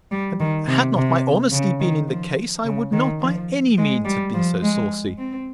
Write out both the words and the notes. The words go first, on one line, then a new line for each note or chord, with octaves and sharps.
And had not my honesty been in the case, I would not by any means have been so saucy.
G3
D#3
C3
C3
C#3
D#3
F3
C#3
D#3
F3
G#3
G3
F3
G#3
C4